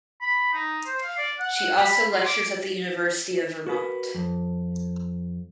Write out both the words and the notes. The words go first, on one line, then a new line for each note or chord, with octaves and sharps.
She also lectures at the University of Vermont.
B5
D#4
C5
F5
D5
F#5
B5
F4
D6
F#4 A#4 B4
F2